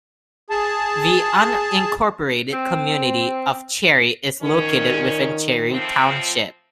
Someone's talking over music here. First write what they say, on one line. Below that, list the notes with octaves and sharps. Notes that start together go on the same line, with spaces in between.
The unincorporated community of Cherry is located within Cherry Township.
G#4 A5
C4
A#2 D#3 C#4
A2 F3 C4